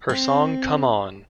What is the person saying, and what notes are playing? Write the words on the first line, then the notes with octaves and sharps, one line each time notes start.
Her song Come On!
C4